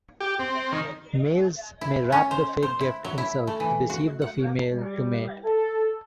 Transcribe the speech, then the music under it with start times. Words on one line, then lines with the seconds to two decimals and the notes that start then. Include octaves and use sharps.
Males may wrap the fake gift in silk, to deceive the female to mate.
0.20 G4
0.39 C4
0.72 D#3
1.81 E4
2.12 C#4
2.31 C5
2.63 C5
2.81 E4
3.05 F#3
3.18 E4
3.47 A3
3.60 E3
3.90 F#4
4.22 F#5
4.73 G3
5.44 A4